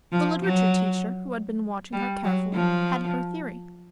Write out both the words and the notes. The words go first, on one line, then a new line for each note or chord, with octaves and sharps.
The literature teacher, who had been watching her carefully, had her theory.
F3
F#3
G3
F#3
F3